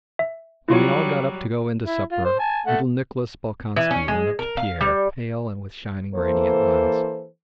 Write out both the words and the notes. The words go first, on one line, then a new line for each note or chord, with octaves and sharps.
When they all got up to go in to supper, little Nicholas Bolkonski went up to Pierre, pale and with shining, radiant eyes.
E5
F#3 G3 E4 F4 C#5
E4
F4
C5
G#5 A5
A3 F#5
E3
C#4
G#3
A#4
F5
G3
E3 A#3 A4 C5